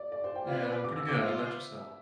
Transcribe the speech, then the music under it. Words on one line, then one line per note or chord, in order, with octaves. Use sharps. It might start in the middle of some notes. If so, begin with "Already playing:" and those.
Yeah, I'm pretty good. How about yourself?
Already playing: D5
D5
C5
G5
C4 F4 B4 D5 F5
D6
E6
D6
B3 F4 C5 E5